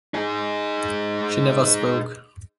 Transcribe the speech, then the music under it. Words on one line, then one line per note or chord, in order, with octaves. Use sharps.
She never spoke.
D#4 G#4